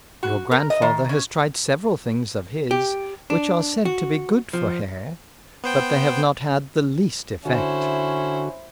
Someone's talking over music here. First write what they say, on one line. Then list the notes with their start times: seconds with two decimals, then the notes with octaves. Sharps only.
Your grandfather has tried several things of his, which are said to be good for hair; but they have not had the least effect.
0.23 F#4
0.51 A#4
0.70 D#5
0.82 D#3
1.09 C#4
2.71 G4
3.30 D4
3.85 F#4
4.53 F3
5.64 B3 C5 G5
7.45 D3 C#4 E4 F#4 C5